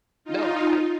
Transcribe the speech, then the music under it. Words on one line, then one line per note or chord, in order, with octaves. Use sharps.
No, I
D#4 F4